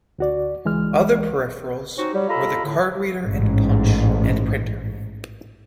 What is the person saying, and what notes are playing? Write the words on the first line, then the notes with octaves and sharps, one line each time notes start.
Other Peripherals were the card reader and punch, and printer.
D2 F#4 D5
C#2 E3 G#3 F6
C4 C#4 D#4 F#4
F#3 G3 G4
F4 G4 A4 D#5 A#5 B5
A2 D3
A1 G#2